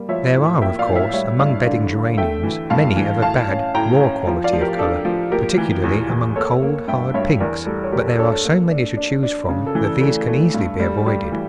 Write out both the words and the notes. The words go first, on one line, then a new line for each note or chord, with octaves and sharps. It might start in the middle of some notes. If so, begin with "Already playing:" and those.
There are, of course, among bedding Geraniums many of a bad, raw quality of colour, particularly among cold, hard pinks, but there are so many to choose from that these can easily be avoided.
Already playing: G3 A#3
F3 C#5 E5
A2
A#3 E5 G5
D5 F5
A2
C#5 E5
G3 C#5 E5
G2 D5 F5
D3 D5 F5
D3
A3 E5 G5
E3
G2 F5 A5
E3
A2 F5 A5
C#4
A2 G5 A#5
C#4
F3
D5 F5
F3
G4 A#4
D4 A4
F3
A#3 G4 A#4
E3
E2
E2
A#3 A4 C#5
A#3
G2 E5 G5
G2 C#5 E5
E2 A#4 D5
G3 A4
C#5
G3 G4 A#4
A4
D4 A4 C#5
A4
A#3
D4
D4
D4
C#3
A4
E3
A4
A3
A3
G2
G3
G3 G4
E3